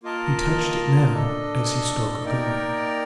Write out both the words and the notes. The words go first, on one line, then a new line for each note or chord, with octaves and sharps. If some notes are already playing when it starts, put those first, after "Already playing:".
He touched it now as he spoke of going.
A#3 F4 A#4 D#5 A5
D4 A4 D#5
A#3 D#4 A#4 D5 G5